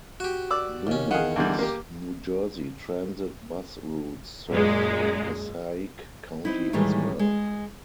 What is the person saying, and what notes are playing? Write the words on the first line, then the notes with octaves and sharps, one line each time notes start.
Numerous New Jersey Transit bus routes serve Passaic County as well.
F#4 G4
D5 D6 E6
D#2 C#4
D#3 G#4 F5 F#5
E2 D3 G3
A#3 G4
F#2 A#2 G#3
C4 D#4 E4
A2 D#3 E3 G3 G#3
G#3